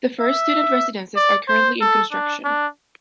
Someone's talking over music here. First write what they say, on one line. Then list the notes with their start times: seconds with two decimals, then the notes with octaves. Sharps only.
The first student residences are currently in construction.
0.20 E5
1.16 D5
1.48 C5
1.81 A4
2.12 D4
2.44 D4